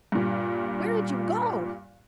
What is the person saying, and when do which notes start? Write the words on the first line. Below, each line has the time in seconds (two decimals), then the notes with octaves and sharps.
"Where did you go?"
0.12 G2 A#2